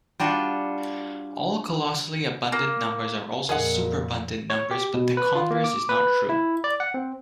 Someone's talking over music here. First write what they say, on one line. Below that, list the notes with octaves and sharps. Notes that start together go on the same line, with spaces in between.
All colossally abundant numbers are also superabundant numbers, but the converse is not true.
G3 D4 F4 F#4
A#3
F2 A#2 G#4 A#4 D#5 F#5
C#5
G4
B2
B4
F4
A#3
D6
B4
E4
D5
F#5
C4